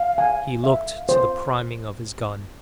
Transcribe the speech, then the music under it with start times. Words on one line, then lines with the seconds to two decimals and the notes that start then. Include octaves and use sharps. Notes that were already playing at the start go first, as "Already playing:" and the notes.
He looked to the priming of his gun.
Already playing: F5
0.18 G#5
0.64 E5 F5
1.09 C5